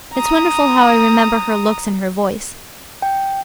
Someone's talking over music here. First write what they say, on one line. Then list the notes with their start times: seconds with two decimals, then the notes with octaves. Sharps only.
It's wonderful how I remember her looks and her voice.
0.14 A#5 D#6
3.02 G5